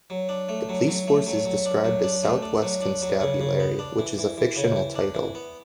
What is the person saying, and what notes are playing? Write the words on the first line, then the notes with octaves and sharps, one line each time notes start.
The police force is described as "South West Constabulary", which is a fictional title.
F#3
D4
A3
F#3
F#3
A3
F#3
F#3
D4
F#3
D4
A3
D4
F#3
D4
F#3
C#3
C#3
B3
D4
E3
E3
E3
C#3
E3
D4
E3
B3